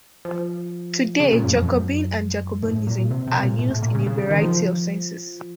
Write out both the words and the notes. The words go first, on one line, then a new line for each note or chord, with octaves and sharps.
Today, Jacobin and Jacobinism are used in a variety of senses.
F3
C#3
A#2
F#2
F2
F#2
A2
A#2
C3
C3
A#2
A2
A2
A#2
C#3
C#3
C#3
D#3
F3